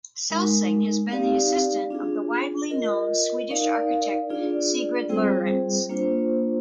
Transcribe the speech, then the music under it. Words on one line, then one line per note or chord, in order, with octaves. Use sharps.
Celsing has been the assistant of the widely known Swedish architect Sigurd Lewerentz.
G#3 D#4 A#4
C4 D#4 G4 D5 F5
D4 F4 G#4
F4 A#4 D#5
D#4 A#4 D5 F5
D4 F4 G#4 D5
G3 C4 F4 G#4 C5
A#3 D4 F4 C5